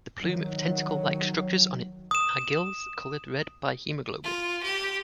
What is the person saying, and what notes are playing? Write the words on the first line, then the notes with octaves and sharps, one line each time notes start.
The plume of tentacle-like structures on it are gills, coloured red by haemoglobin.
D#3 F#3
D#6 E7
F4
G4